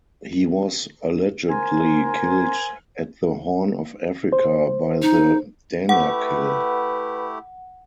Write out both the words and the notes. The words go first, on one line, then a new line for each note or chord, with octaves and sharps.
He was allegedly killed at the Horn of Africa by the Danakil.
A#4 C5 G#5
C5
D#4
A3 E4 G4 B4 F#5